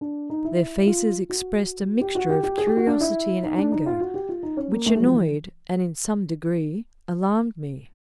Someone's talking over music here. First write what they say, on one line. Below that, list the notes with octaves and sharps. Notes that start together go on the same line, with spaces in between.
Their faces expressed a mixture of curiosity and anger, which annoyed and in some degree alarmed me.
D4
D#4
E4
F4
F#4
G4
F#4
G4
G4
G#4
G4
F#4
D4
E4
D#4
D4
D#4
F4
F#4
G4
F4
D#4
C#4
A#3
A3
G#3
F#3
F3
E3